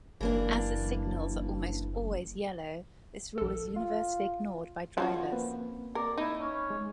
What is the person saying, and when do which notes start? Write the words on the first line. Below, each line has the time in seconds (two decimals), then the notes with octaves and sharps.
As the signals are almost always yellow, this rule is universally ignored by drivers.
0.21 F#1 E3 A#3 D4
3.38 A#1 A4
3.76 F4
4.98 F3 C#4 F#4
5.32 A#3 C4 B4
5.95 A#4 D5
6.18 D#4 E4
6.40 C#4
6.70 G#3